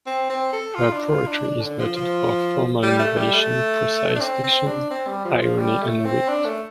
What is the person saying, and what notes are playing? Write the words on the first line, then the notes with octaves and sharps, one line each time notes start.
Her poetry is noted for formal innovation, precise diction, irony, and wit.
C4
C4
A4
F4
D4
F4
D4
D4
D3
F3
F3
G3
A3
G3
A3
D4
C4
C4
D4
C4
G3
F3
F3
G3
A3
C4
D4
A3